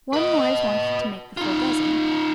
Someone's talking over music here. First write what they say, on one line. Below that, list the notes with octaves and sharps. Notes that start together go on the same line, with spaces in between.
One more is wanted to make the full dozen.
B4 D#5
D#4 F4